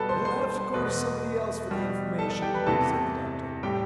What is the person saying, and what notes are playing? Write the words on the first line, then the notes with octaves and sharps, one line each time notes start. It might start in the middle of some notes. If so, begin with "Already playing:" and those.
"You'll have to go to somebody else for the information," said the Doctor.
Already playing: B2 G3 A4 B4 A5 B5
C5 C6
C5 C6
C5 C6
C5 C6
E2 B2 A3 B4 B5
B2 G3
A4 A5
A4 A5
G4 G5
B4 B5
E2 C3 E3 A3 A4 A5
A2 G3 G4 G5